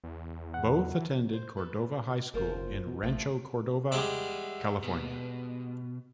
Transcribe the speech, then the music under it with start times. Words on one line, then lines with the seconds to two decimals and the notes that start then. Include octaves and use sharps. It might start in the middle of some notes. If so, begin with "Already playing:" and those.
Both attended Cordova High School in Rancho Cordova, California.
0.04 E2
0.54 F#5
0.95 E3
1.33 C5
1.57 A4 B4
2.34 F#1 F4 A#4 C5
2.86 B2
3.03 A1 F3 A3 C4
3.92 G3 G#3 D5 E5 F#5
4.83 B2